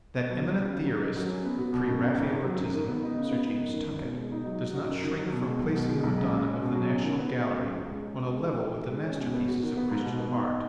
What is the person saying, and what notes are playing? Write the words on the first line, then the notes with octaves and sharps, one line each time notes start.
That eminent theorist of Pre-Raphaelitism, Sir James Tuckett, does not shrink from placing the Madonna of the National Gallery on a level with the masterpieces of Christian art.
B2
F#3
B1
C#3
F#3
D#4
F#2
F#3
C#4
B3
F#4
B2
F#2
C#3
G#1
D#3
F#3
F#2
D#3
B3
D#4
C#3
B3
D#4
F#2
D#3
G#1
B2
G#3
D#4
F#3
D#4
F#4
F#2
D#3
F#3
B2
G#3
B1
B2
G#3
B1
C#3
G#3
C#4
B2
F#3
C#4
D#3
B3
F#4
C#3
F#3
C#2
G#3
C#4
F#4
G#3
D#4
F#4
D#3
G#3
C#4
B2
B3
F#4
D#3
B3
G#2
B2
B3
D#4